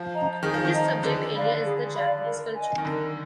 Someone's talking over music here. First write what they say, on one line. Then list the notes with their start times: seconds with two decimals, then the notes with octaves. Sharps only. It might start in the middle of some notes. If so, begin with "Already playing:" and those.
His subject area is the Japanese Culture.
Already playing: F3
0.13 D#5 A#5
0.43 D#3 G#4
0.54 F3
0.65 D#3
0.73 D#5 A#5
1.03 D3 G#4
1.34 D5 F5 B5
1.63 G#4
1.94 D5 F5 B5
2.25 A#4
2.55 D#5 G#5
2.78 D#3
2.85 D3 A#4